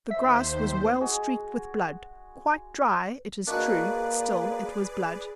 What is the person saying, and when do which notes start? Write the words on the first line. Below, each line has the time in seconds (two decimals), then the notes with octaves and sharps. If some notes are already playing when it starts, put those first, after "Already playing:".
The grass was well streaked with blood: quite dry, it is true; still it was blood.
0.10 D#2 C5 E5 B6
1.00 G#3 F#4 G#4
3.47 A#3 D4 D#4 F#4 G#4 B4 D5